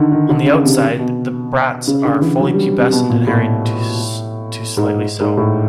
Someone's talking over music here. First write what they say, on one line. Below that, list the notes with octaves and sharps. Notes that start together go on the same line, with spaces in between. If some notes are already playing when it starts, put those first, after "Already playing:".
On the outside, the bracts are fully pubescent, hairy to slightly so.
Already playing: D3 D#3
D#3
D3
C#3
C3
B2
C#3
D3
E3
F#3
G3
C3
B2
A#2
A2
G#2
G#2
A2